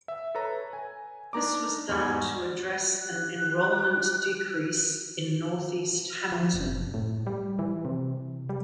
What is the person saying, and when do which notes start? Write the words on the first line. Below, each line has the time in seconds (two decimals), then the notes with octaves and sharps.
This was done to address an enrollment decrease in Northeast Hamilton.
0.08 E5
0.35 A4 B4 C#5 A#5
0.73 G#5
1.33 D4 D#4 A#5 D6
1.89 E2 G#2 D5 C#6 G#6
3.02 G4 F#6
6.32 F3
6.54 F#1
6.94 A2
7.27 G3
7.59 E3
7.85 C3
8.49 G3